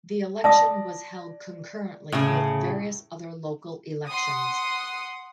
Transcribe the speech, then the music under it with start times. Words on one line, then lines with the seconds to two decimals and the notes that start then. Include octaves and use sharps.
The election was held concurrently with various other local elections.
0.44 D5 A5 D#6 A#6
2.12 A2 C#3
4.07 F#5 C6 D#6